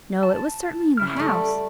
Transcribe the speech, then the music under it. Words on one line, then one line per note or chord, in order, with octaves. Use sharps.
No, it was certainly in the house.
A5
C#3 E4 F6
G3 A3 D5 B5